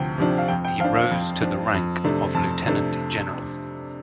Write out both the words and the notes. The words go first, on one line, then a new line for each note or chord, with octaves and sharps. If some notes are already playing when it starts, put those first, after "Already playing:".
He rose to the rank of Lieutenant-General.
Already playing: D2 C3 F3 G5
C3 F3 D4
F5
F2 G5
G5
F3 D4 F5
F5
F2
F3 D4
F2
C3 A3 D4
F2 A5
C3 A3 D4